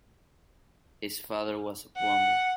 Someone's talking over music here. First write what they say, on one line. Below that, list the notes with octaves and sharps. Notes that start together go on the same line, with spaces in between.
His father was a plumber.
F#5